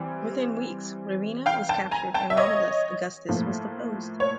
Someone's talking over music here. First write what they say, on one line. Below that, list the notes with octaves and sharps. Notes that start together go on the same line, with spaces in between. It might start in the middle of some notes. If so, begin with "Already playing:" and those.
Within weeks, Ravenna was captured and Romulus Augustus was deposed.
Already playing: E3 G3 C4
F5 G5
G5 A5
G#5 A#5
G5 A5
E5
C#5 D#5
A2 F3 A#3
C#5